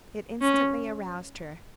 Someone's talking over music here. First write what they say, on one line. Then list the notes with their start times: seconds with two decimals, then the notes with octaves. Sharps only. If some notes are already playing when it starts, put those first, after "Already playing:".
It instantly aroused her.
0.41 C#4